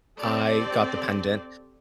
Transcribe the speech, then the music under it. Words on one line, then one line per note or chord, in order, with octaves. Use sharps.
I got the pendant.
C4 G4 A4 D5